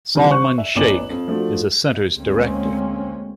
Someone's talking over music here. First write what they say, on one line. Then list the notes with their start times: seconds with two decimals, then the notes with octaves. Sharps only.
Salman Shaikh is the Center's Director.
0.15 C3 D#3 E3 G3
0.29 C5 C#6 F#6
0.58 E5
0.75 A1 E2 D6 E7 F#7
1.10 F2
1.28 F3 A3 D4 F#4
2.15 D2 G#3 A#3 C4 C#4